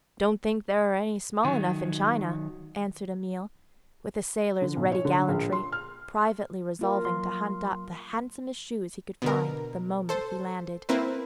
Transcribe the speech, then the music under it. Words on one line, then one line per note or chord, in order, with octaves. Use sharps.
'Don't think there are any small enough in China,' answered Emil, with a sailor's ready gallantry, privately resolving to hunt up the handsomest shoes he could find the moment he landed.
D#3 F#3
D3
B1
C#5
D3
A#1
C6
F6
A#3 F4 A#4
F#3 C6
B2 D3 A#4
A4 C5
A#3 C4 E4 A#4 B4